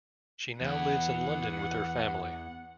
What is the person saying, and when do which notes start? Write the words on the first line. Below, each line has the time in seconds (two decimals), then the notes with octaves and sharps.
She now lives in London with her family.
0.61 E2 B3 F#5